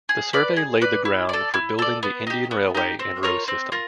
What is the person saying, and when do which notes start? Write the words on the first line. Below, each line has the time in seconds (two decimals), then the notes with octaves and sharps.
The Survey laid the ground for building the Indian railway and road system.
0.09 G#4
0.33 B4 D5
0.57 G#4
0.81 B4 D5
1.05 E4
1.29 A4 D5
1.54 E4
1.79 A4 D5
2.03 B3
2.27 D#4 G4
2.51 B3
2.75 D#4 G4
2.99 C4
3.23 F4 A#4 C#5
3.48 C4
3.72 F4 A#4